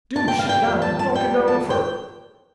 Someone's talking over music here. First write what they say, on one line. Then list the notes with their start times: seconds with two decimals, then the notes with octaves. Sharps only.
Do sit down and talk it over.
0.16 F2 A5
0.28 G5
0.33 E3
0.39 F5
0.49 G3 G5
0.65 F2
0.82 F2 A5
0.99 F2 A5
1.14 G3 G5
1.31 F2
1.47 E3 A5
1.64 F2
1.70 G5